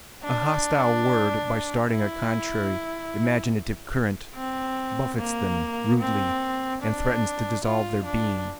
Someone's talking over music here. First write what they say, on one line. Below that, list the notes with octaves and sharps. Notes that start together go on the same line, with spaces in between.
A hostile word, by starting a contrary imaginative current, buffets them rudely and threatens to dissolve their being.
D4
E4
C4
A#3
C4
D4
F4
D4